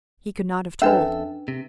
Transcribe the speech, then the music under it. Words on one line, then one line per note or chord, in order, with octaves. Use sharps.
He could not have told.
F2 C#4 D4 A4 B4 E5
C3